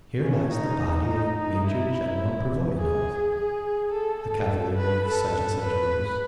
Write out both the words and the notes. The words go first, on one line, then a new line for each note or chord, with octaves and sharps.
"Here lies the body of Major-General Pervoyedov ... a cavalier of such and such orders." Hm!
C#4
D#4
D#4
D#4
E4
E4
G#4
G#4
A4
A4
B4
A4
B4